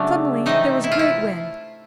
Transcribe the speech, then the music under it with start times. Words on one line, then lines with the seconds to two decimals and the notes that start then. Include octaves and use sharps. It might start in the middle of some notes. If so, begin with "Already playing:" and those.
Suddenly there was a great wind.
Already playing: C#3 F#3 A3 D4
0.46 C3 E3 A3 D#4
0.84 E4
0.92 F4
0.99 E4